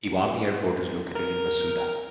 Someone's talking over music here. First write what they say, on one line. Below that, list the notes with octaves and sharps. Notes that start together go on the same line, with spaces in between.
Iwami Airport is located in Masuda.
A#4